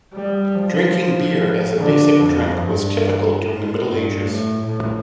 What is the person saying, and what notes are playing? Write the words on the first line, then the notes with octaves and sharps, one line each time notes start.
Drinking beer as a basic drink was typical during the Middle Ages.
G3
F3
D3
F2
G2
G2
A2
A2